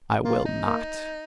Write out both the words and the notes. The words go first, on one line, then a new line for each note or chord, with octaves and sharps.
"I will not."
A#3 F4
D#4
A#3